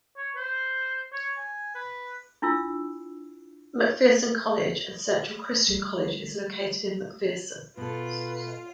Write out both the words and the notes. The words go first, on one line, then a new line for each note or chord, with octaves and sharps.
McPherson College and Central Christian College is located in McPherson.
C#5
C5
C#5
G#5
B4
D4 E4 F4 E6
G3 A3
B2 F4 A4 B4